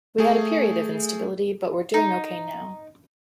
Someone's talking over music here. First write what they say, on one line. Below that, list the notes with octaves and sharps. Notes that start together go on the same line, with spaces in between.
We had a period of instability but we're doing ok now.
A3 G#4
D#4